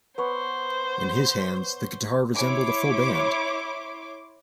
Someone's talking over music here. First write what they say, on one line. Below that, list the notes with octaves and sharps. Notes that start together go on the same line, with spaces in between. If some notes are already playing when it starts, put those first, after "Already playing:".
In his hands, the guitar resembled a full band.
B3 C5 C#5
E4 C#5 C6 D6